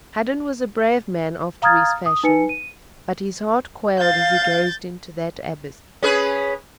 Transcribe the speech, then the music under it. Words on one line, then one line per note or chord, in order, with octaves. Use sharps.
Hadden was a brave man after his fashion, but his heart quailed as he gazed into that abyss.
F5 A#5 D#6 F6 G#6 A6
D#6
D#4 B4 G#5 C#7
D#7
F5 G6 A6
C#4 G#4 B4